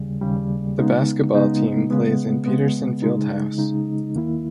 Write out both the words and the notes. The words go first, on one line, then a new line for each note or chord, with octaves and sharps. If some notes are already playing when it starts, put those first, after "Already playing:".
The basketball team plays in Peterson Fieldhouse.
Already playing: D#2 C#3 G3
D#2 C#3 G3
C#3 G#3 B3 D#4
C#3 G#3 B3 D#4
C#3 G#3 B3
C#3 G#3 B3
C#3 G#3 D#4
C#3 G#3 D#4
D#2 D#3 A#3 E4